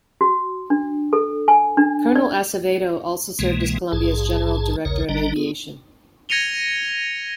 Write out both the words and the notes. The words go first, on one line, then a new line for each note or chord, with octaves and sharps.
Colonel Acevedo also served as Colombia's General Director of aviation.
F#4
D4
A4
G#5
D4
D5
C2 B2 E3 G#3 A#3
A#1 G#2 G#4 A5
A#1 D#2 C#3 A#4 C#5
G#1 D3 G3 D4 D#5 A#5
B3 F4 G#4
G#6 A#6 C#7 D#7 F7 G7